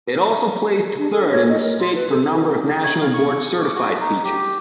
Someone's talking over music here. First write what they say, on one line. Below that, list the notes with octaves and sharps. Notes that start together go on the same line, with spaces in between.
It also placed third in the state for number of National Board Certified teachers.
D4
A4
C#5
D#5
A#4
C6
B4
A4
C#5
F5
C#6
D6
F#4
D#4
G4